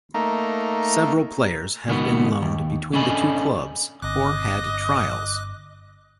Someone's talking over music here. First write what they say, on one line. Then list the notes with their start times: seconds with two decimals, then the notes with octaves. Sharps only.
Several players have been loaned between the two clubs or had trials.
0.14 A3 A#3 D#4
1.89 C#2 B2 D#3 B3
2.42 D#2
2.93 C#4 D4 A4 D#5 G#5 B5
4.02 G1 C4 D#5 D6 F#6